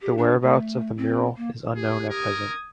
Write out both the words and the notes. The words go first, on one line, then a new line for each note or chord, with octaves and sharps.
The whereabouts of the mural is unknown at present.
G4
D4
A3
C4
A#3
G4 G#4
A#4 D#6 G#6